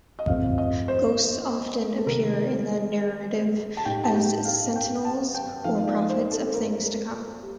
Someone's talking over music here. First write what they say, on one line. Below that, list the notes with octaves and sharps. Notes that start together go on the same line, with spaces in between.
Ghosts often appear in the narrative as sentinels or prophets of things to come.
D#5
G2 F3 A3 C4 F5
D#5
C5
A4
C3 D#3 G3 A#4
A5
A2 A3 D#4 G4 G5
A5
G5
F5
G5
A5
G5
F3 A3 D#4 A4 F5
D5
C5
A4
A#4
G3